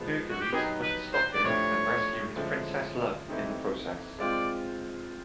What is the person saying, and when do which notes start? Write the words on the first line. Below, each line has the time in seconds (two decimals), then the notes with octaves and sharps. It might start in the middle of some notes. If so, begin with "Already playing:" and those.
Hercules must stop him and rescue his princess love in the process.
Already playing: F3 G#3 B3
0.29 F#4
0.41 G4
0.52 F#3 B3 D#4 G4 G#4
0.83 B4
1.13 C5
1.33 D5
1.44 A2 F3 A3 D4 G4 C#5
2.36 D3 F3 G#3 C#4 E4
3.28 E3 A3 C4 D#4 G4
4.19 G#3 C4 F4 D5